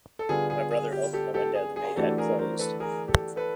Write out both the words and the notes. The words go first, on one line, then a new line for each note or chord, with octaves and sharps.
My brother opened the window the maid had closed.
A4
D3 G3 B3 D4 F4 G#4
G#4
G#4
G4
G4 A4
G4 A4
G#4
G#4
E3 A3 D4 F#4 G4 A4
G#4 A#4
A#4 C5
A4 B4
G#4 A#4
G4 A4
A4 B4